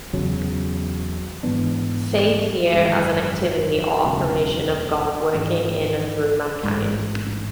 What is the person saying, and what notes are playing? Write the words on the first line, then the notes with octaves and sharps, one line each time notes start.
Faith here as an activity or operation of God working in and through mankind.
E2 C#3 F#3 C#4
G#2 E3 B3 D4
G#1 F#2 E3 G#3
E1 D2 C#3 F#3
G#2 E3 G#3 C#4
A1 G#2 G#3